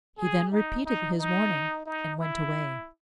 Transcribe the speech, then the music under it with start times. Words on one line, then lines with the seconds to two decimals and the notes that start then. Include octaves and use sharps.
He then repeated his warning and went away.
0.18 G#4
0.52 D#4
0.86 D#4
1.19 D#4
1.86 D#4
2.19 E4